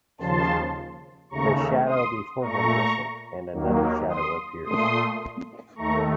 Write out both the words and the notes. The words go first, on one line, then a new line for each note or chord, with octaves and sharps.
The shadow before him whistled and another shadow appeared.
D#2 C#3 F3 A5 C6
D#2 C#3 A3 A#5 C#6
C6 D#6
A#2 A3 A#5 C#6
D#2 D#3 F#3 A#3
C6 D#6
A#2 A3 C6 D#6
D#2 D#3 A3 A#5 C#6